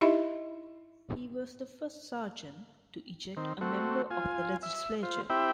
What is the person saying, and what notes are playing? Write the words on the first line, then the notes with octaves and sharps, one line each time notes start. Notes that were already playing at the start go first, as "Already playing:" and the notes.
He was the first sergeant to eject a member of the Legislature.
D#4 E4 G4 D#5 E5 B5
D#3 C4
A3 C4 F#4
F4 G#5
E5
F4 C5
C4 E4 G4 E5 G5 B5